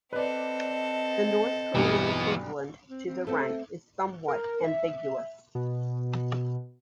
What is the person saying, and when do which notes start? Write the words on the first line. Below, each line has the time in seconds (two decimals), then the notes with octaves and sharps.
The North Korean equivalent to the rank is somewhat ambiguous.
0.13 C4 A4 B4 D5 D#5
1.75 B1 G2 E3 G3 B3
2.88 C4
3.06 C4
3.27 A3 C4 A4
4.28 A#4
4.64 E5
5.55 B2